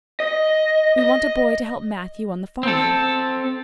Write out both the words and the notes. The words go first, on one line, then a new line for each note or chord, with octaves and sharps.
We want a boy to help Matthew on the farm.
D#5
D#5
C4 A4